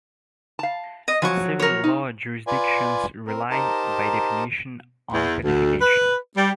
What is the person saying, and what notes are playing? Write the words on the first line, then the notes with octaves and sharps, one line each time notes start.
Civil law jurisdictions rely, by definition, on codification.
F5 A5
D#5
F3 F#3 G#5 C#6
A#4 C#5
D#4
F4 B4 D5 G#5
C4 A#4
D#4 G4 A#4 C5 A5
E2
D2
B4
G3